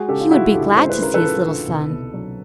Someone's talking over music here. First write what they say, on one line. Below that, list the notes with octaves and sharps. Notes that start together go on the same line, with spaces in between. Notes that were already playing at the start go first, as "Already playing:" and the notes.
He would be glad to see his little son.
Already playing: G#3 F#4 G#4
C#3 G4 A4
F4
F3 E4 F#4
D2 G4 A4
G#3 C5
B4
C#3 A#4
A4 B4
F3
D2
C2
B2
F#3